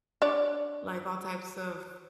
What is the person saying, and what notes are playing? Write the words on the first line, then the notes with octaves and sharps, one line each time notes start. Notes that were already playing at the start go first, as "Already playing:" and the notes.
like, all types of
D4 C#5 D5